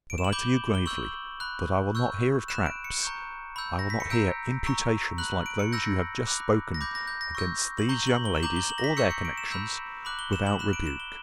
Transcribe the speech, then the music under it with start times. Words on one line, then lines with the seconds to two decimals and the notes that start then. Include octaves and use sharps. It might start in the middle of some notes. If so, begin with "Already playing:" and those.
But I tell you gravely, that I will not hear of traps--I will not hear imputations like those you have just spoken against these young ladies or their connections, without rebuke.
0.10 D7
0.18 E7
0.24 F#7
0.32 B5 D6 G6 G7
0.75 G7
0.86 C#6 E6 G6 F#7
1.40 B5 F#6
1.95 C#6 E6 G6
2.48 B5 F#6 E7
2.66 D7
2.84 C#7
3.03 A#5 C#6 G6
3.56 B5 E6 G6
3.79 A#6
3.90 B6
4.00 C#7
4.10 A#5 E6 G6 D7
4.64 A#5 C#6 E6
5.18 B5 F#6 F#7
5.46 D7
5.59 C#7
5.72 B5 E6 G6 A#6
6.27 B5 D6 F#6
6.74 A#6
6.81 B5 D6 G6
6.95 A#6
7.08 G6
7.21 A#6
7.35 C#6 E6 G6
7.78 F#7
7.89 A#5 C#6 G6 G7
8.07 F#7
8.25 G7
8.36 E7
8.43 A#5 D6 G6 F#7
8.56 G7
8.70 F#7
8.78 A#6
8.84 B6
8.97 C#6 E6 G6 C#7
9.11 C#7
9.25 D7
9.37 E7
9.51 B5 E6 G6
10.05 B5 D6 F#6 F#7
10.19 G7
10.33 E7
10.47 F#7
10.59 B5 F#6 E7
10.73 D7
10.87 E7
11.00 G7